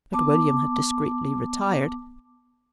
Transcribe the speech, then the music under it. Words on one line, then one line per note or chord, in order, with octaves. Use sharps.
But William had discreetly retired.
B3 A5 D6